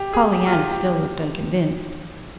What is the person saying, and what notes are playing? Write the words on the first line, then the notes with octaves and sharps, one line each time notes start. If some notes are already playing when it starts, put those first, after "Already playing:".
Pollyanna still looked unconvinced.
Already playing: G4
G#4
G4
F4
G4
G4